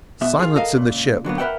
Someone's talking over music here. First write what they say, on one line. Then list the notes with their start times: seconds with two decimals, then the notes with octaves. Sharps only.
"Silence in the ship!"
0.21 B2 B3 E5
0.39 F4 G#4
0.56 A4 A#4 D#5 F5
0.75 C#2 A#2
1.24 D3 F#3 A#3 B3
1.38 A#4 B4 D5 E5 F#5 G5